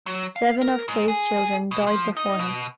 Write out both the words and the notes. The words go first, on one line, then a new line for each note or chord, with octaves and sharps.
Seven of Clay's children died before him.
F#3
F5
A#4
G#2
G#4
B2
F3
D#4
B2